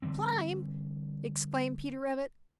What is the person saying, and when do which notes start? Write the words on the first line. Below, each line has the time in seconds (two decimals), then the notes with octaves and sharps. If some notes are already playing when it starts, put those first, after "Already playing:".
"Climb!" exclaimed Peter Rabbit.
0.02 D3 E3 G3 C4